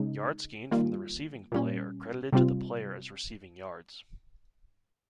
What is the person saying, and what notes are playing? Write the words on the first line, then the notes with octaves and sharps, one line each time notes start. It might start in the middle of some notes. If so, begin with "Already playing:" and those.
Yards gained from the receiving play are credited to the player as receiving yards.
Already playing: C#3 G#3 D#4
D#3 G3 A#3 F4
A#2 G3 C#4
C3 G3 C4 F4